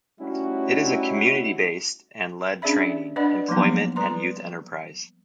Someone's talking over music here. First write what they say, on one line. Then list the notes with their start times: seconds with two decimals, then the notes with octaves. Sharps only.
It is a community-based and led training, employment and youth enterprise.
0.20 G3 A3 C#4 D#4 E4 F#4
2.62 C#4 D4 G#4 D5 E5 B5
3.16 D4 B4 D5 D#5 F#5 B5
3.49 F3 F#3 A#3 B3 D#4
3.96 G3 B4 A#5 C6